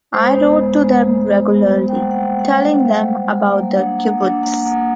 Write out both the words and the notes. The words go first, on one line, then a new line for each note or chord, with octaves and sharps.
I wrote to them regularly, telling them about the kibbutz.
G#3 C5
B3
G#3
G#3
G#3
G#3
B3
G#3
G5
A#3 F#5
F#5
G3 G5
G3 F#5
G3 F#5
G3 F5
G3
G3
A#3
D4 F#5
A#3
D4 F#5
A#3 F#5
A#3 F#5